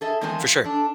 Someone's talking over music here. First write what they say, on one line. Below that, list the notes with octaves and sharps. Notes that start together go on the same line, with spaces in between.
For sure.
G#4 A4 D#5 E5
E2 D#3 G#3 C4 G#5 A5
F3
D4 A4